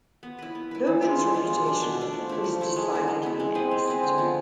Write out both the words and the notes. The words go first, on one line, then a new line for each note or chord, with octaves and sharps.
Logan's reputation was decidedly mixed.
B3
E4 B4
B3
E4 B4
E3
G#3 D4 F4
E3
G#3 D4 F4
B2
A3 D4
B2
A3 D4
F3
A3 E4
F3
A3 E4
G#3
B3 E4
G#3
B3 E4
G#3
C4 G#4 B4
G#3
C4 G#4 B4
D3
F3 B3